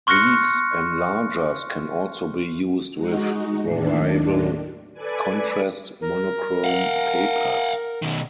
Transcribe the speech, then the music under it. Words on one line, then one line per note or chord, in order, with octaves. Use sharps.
These enlargers can also be used with variable-contrast monochrome papers.
C6 C#6 F6 F#6 A#6 C#7
G#3 D#4 F#4
D#2 A2 D#3 D4
A4 B4 D5 G#5
A#4
F5 F#5
B2 D#3